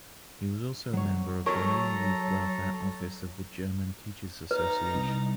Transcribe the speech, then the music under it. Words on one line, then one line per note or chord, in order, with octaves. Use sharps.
He was also a member of the main youth welfare office of the German Teachers' Association.
F#3 C#5
F#3 F#4 A4 A#4 C#5 A#5
D#4 B4 A#5 A6
C2